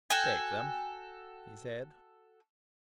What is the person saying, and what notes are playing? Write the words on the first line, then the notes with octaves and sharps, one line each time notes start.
"Take them," he said.
F#4 A4 G5 G#5